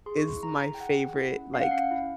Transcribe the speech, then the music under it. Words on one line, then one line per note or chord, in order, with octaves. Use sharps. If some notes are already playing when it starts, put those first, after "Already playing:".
is my favorite, like,
G#4 C6
C#6
E4 C6
G#4 A#5
E4
G5
G#4 F#5
G#4
E4
C#4
C#4 F5
F#5
C#4 F5
E4